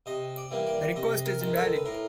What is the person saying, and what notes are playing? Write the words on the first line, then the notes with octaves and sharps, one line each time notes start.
The request is invalid.
C3 D#5
D5
E3 G3 A#3
D5
C3 D#5
A#4
D#3 G#3
A4
B4
A2 A#4